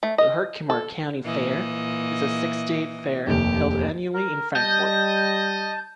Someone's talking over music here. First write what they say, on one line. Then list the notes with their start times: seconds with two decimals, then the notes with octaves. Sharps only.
The Herkimer County Fair is a six-day fair held annually in Frankfort.
0.03 A3
0.18 D#5
0.70 A4
1.23 A#2 E3 D#5
3.27 F1 D#2 G4
4.14 A#4
4.55 G3 D#5 A5 G6